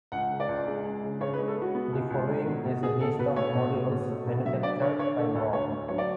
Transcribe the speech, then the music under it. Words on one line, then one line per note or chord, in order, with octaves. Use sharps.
The following is a list of modules manufactured by Moog.
C#2 F#5
C#3
D5
C#2
G#3
C#2
C#3
C#3 C#5
B4
G#3
A4
G#3
F#4
B3
C#2
C#2
A3
B2
B2
B2 G#4
B2 A4
B2 B4
A3 C#5
B2
B2
B2
A3
B2
F#3 E5
D3 D5
D3 C#5
D3 C#5
D3 A4
D2 A4
D2 C#5
D2
F#3 C#5
D5